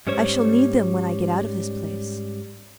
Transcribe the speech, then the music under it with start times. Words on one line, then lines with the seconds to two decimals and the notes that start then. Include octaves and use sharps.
I shall need them when I get out of this place.
0.07 G#2 G3 C#4 C5 C#5